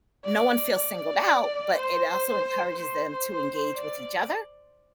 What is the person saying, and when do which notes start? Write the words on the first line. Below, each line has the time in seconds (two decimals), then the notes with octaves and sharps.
no one feels singled out, but it also encourages them to engage with each other,
0.25 D5
0.74 D5
1.75 C5
2.76 C5
3.77 D5